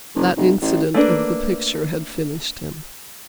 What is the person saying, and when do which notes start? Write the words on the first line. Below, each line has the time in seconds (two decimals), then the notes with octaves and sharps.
That incident of the picture had finished him.
0.15 F#1
0.37 F1
0.61 A1
0.94 A3 A#3 D4 B4